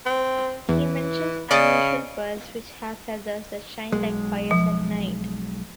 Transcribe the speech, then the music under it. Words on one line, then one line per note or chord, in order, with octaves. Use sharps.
He mentions unusual birds, which have feathers that "shine like fires at night".
C4
E2 E3
C#3 D5 D#5
B1 G#3
F3